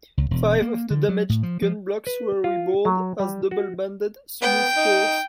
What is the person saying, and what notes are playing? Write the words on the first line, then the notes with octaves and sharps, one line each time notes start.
Five of the damaged gun blocks were rebored as double-banded smoothbores.
C#2
E1
A#3
D3
F#3
A2
F3
F3
B4
F4
F#3
G3
F#4
B3 G5
D#4